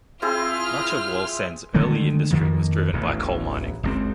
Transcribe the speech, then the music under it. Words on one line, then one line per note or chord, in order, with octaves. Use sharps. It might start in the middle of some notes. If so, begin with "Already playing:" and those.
Much of Wallsend's early industry was driven by coal mining.
C4 E4 F4 G#4 F6
D3 D#3 G#3 A3
F2 D#3 F3 A#3
D1 A1 E2
F#1 C#2 C4